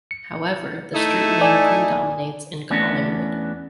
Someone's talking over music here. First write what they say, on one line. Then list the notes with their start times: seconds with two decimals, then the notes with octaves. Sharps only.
However, the street name predominates in Collingwood.
0.11 C#7
0.94 A3 D#4 E4
1.41 D5 G#5
2.70 E2 A3 B3 C#4 D4